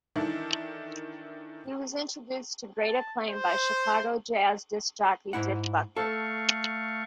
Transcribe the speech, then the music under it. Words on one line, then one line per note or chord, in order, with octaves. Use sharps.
He was introduced to great acclaim by Chicago jazz disc-jockey Dick Buckley.
D#3 E3 D4 E4 A4
A5
C5
G#2 E4 F#5
A3 A4 F5 C#6